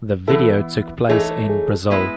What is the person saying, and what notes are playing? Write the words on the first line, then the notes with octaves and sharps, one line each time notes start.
The video took place in Brazil.
E3 B3 E4 A4
E3 A3 D#4 G#4 A4 C#5
G#4
G#3 B3 E4 B4